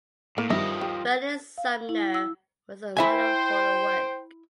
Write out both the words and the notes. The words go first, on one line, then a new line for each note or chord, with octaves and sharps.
Verlyn Sumner was the model for the work.
A2 A#3
G2 D#3 F3 G3 D#5 E5
G4
F5
E4
E6
E4 C5 E5 G5 G#5